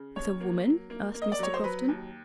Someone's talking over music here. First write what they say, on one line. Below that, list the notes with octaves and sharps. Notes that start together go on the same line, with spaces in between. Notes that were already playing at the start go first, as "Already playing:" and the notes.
"With a woman?" asked Mr. Crofton.
Already playing: C#3
D#2 C#5
A#3
F#3
A#3
A#3
D#5
D5
F#3 C#5
C5
F#3 B4
D#2